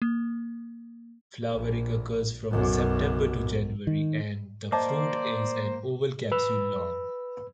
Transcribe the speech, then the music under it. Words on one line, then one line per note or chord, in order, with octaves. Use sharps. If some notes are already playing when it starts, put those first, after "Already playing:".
Flowering occurs from September to January and the fruit is an oval capsule long.
A#3
A#1
B1 F#2
D#3
A#3 C5 D5 D#5 A5 D6
B4 B5 E6